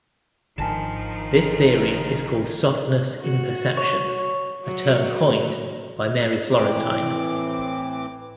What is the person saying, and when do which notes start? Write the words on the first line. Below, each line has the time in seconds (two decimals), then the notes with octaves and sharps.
This theory is called "softness imperception", a term coined by Mary Florentine.
0.58 G#1 D3 D#3 F3 G#5 A5 E7
3.21 F#4
3.77 C#5
4.65 F#3
6.51 A2 E3 C4 D6